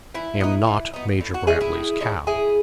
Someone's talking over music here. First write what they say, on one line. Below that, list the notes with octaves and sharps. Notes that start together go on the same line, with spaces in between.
"I am not Major Grantly's cow."
E3 E4
B3 D#4
E3
B3 D#4
A2
F#4
G#3 C#4 E4 G#4
E4 G#4
A2
G#3 C#4 E4
A2 E4 G#4